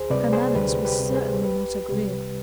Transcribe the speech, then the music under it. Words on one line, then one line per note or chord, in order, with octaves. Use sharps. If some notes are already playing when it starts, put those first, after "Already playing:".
Her manners were certainly not agreeable.
Already playing: D2 G#4 C5
C3 G3 B4 D5
G#4 C5
D2 G4 B4
G4 B4
C3 G3
G#4 C5
C2 G4 B4
C3 G3